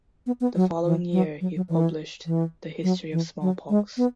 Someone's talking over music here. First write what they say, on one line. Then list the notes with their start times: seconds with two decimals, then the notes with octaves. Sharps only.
The following year he published "The history of smallpox".
0.27 B3
0.41 B3
0.56 F#3
0.85 E3
1.12 F#3
1.41 F#3
1.56 F#3
1.69 E3
2.26 E3
2.83 F#3
3.12 E3
3.41 F#3
3.70 G#3
3.97 B3